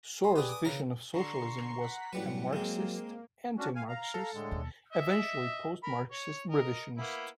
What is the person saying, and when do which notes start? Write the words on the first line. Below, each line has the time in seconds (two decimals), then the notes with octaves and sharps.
Sorel's vision of socialism was "a-Marxist, anti-Marxist, eventually post-Marxist revisionist".
0.24 G#3 B5 C6
0.36 G4 G#4 B4 D5 G#5
0.49 D6 D#6
0.65 C#3 A#4 A#5
1.14 D3 A#5 C6 C#6 C7
1.81 F#5 B6
2.13 A1 F#3 G3 B4 C#7
2.53 G#3 A#3 C4
3.58 C#4 D4 F#4
3.76 F5 G#5
3.88 F5 A#5
4.14 A4
4.34 A2 D3 G#3
4.51 D#2 B2
4.93 D#5 E5
5.84 A#4 B5
6.11 C#5
6.50 A#4 D#5
6.98 A#3 B3 E4